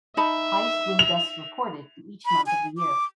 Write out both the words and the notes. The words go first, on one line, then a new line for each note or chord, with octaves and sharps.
Highest wind gusts reported in each month of the year.
D#4 E5 A5 B5
F7
B5
G#5
D6